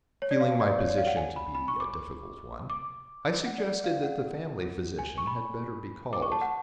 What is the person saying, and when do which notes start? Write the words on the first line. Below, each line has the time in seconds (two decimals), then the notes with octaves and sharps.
Feeling my position to be a difficult one, I suggested that the family physician had better be called.
0.22 C#5
0.31 D5
0.41 F5
0.60 D5
0.79 C#5
0.88 D5
0.98 F5
1.07 F#5
1.17 G#5
1.36 B5
1.55 B5
1.68 C#6
1.80 D6
2.70 D6
3.46 F#5
3.58 D5
3.84 F5
4.03 F#5
4.99 G#5
5.18 C#6
5.27 B5
6.13 D6
6.22 C#6
6.32 A5
6.41 F#5